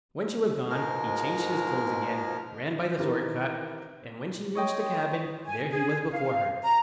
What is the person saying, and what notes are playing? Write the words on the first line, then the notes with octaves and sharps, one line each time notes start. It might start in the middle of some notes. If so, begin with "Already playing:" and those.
When she was gone, he changed his clothes again, ran by the short cut, and when she reached the cabin, there he was before her.
G#2 B2 F3 G#3 A#4 F6
D#3 E3 C4 G4 A#4 B4
C#5 D#5 G5 C6
G#5
G#4
F5
A#5